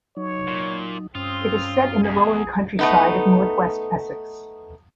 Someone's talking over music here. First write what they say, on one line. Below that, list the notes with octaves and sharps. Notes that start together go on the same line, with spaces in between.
It is set in the rolling countryside of north west Essex.
F#3 D#4 C#5
A#2
G2 C4 C#4 F4 D#6
E2 G#4
A3 B3 D#4